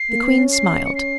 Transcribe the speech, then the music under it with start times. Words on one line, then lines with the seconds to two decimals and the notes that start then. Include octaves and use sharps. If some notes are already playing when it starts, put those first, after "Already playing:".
The queen smiled.
Already playing: C7
0.08 A#3
0.23 B3
0.37 C#4
0.52 C7
0.85 C#7
0.95 C7